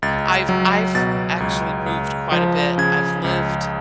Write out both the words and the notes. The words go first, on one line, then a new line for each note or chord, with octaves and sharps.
I've I've actually moved quite a bit. I've lived,
C#2 A6
F#3
B2 A6
C#2
C#2
F3
C#3 G#6
C#2